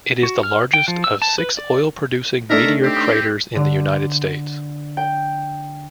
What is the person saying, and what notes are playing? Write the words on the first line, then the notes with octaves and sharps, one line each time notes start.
It is the largest of six oil-producing meteor craters in the United States.
F#4
F6
G5
F3
E6
A5
B4
D5
A3 D4 D#4 A4 A#4 E5
C4 G4
D3
G5